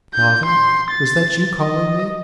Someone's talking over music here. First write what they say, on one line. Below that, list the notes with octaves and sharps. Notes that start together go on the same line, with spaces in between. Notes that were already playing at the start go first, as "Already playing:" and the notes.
Father, was that you calling me?
G6
C6
A6
D#5